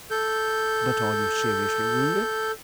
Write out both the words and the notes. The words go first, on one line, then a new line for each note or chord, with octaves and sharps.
But are you seriously wounded?
A4 G6